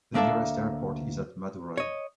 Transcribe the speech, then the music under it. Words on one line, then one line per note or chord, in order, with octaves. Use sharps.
The nearest airport is at Madurai.
D2 A#3 D4 A4 E5
C#5 D#5